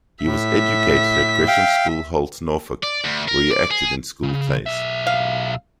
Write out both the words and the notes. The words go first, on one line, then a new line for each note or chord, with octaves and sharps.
He was educated at Gresham's School, Holt, Norfolk, where he acted in school plays.
A2 E5 B6
F5 G5
D5
D2
A#4
D5
G#4
C#3
B1 E5
F5